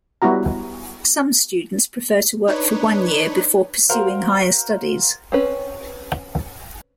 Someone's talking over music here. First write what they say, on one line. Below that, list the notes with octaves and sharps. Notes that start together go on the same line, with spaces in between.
Some students prefer to work for one year before pursuing higher studies.
G3 B3 E4 F#4 A#5
D4 D#4 B4 C#5
F#4 A#4 C5 F5
C4 C#4 B4